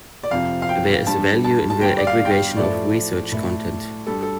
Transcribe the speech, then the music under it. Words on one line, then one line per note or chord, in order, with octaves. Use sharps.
There is value in the aggregation of research content.
D5
F2 C3 F3 F5
F5
G5
G2 G3 A5
A5
A5
G2 D3 G3 G5
D5
F5
G5
F5
A2 F3 A3 D5
A2 A3
G2 G3 A4
A4